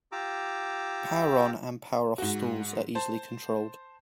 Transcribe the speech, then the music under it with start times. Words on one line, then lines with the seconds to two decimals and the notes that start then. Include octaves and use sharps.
Power-on and power-off stalls are easily controlled.
0.12 F4 G4 A#5 D6 E6
2.18 G#2 F#4
2.95 C5 A5